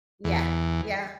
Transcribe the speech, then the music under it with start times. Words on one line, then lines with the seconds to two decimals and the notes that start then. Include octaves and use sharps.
Yeah. Yeah.
0.24 E2